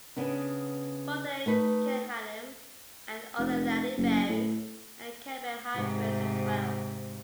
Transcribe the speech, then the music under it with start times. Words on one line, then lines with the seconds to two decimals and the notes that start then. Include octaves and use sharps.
Both the 'Chehalem' and 'Olallie' berries are caneberry hybrids, as well.
0.16 C#3 B3 D4
1.46 A3 D#4 B4
3.38 F1
3.97 F#1
4.29 A2
5.75 G#2 C3